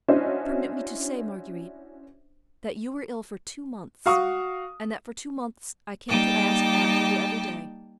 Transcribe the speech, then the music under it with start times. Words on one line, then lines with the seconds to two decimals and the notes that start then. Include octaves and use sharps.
"Permit me to say, Marguerite, that you were ill for two months, and that for two months I came to ask after you every day."
0.08 C#4 D4 E4 F#4 C5 D#5
4.06 F#4 F5 C#6 D#6
6.08 G3 A#3 D#4 G5 A5 D6